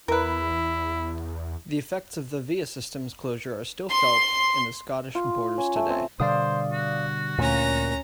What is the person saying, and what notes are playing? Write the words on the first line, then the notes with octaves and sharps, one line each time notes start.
The effects of the Viasystems closure are still felt in the Scottish Borders today.
E2 E4 A#4 B4
C6
F4
C#4
A3
C4
B2 D3 G3 C5 D5 F5 D#6
F#4
D2 A#2 C#4 A#5